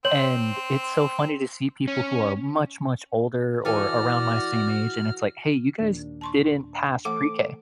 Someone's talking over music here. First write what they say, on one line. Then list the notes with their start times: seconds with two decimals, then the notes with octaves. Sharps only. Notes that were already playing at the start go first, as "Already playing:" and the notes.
And it's so funny to see people who are much, much older, or around my same age, and it's like, "Hey, you guys didn't pass Pre-K,"
0.05 C4 C#5 C6 F#7
1.88 C#4
3.65 E3 F#4 A4 D5 G#5 F6
5.80 D#2 A#2 D4
6.21 A5 C6 C#6
7.05 E3 A3 A4 F#5 D6